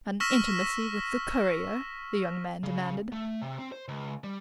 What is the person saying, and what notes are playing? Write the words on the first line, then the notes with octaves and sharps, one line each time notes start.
"An intimacy with the courier?" the young man demanded.
C#6 E6 F6 A#6 B6 E7
C#3
A3
C3
C4
C5
C#2
G3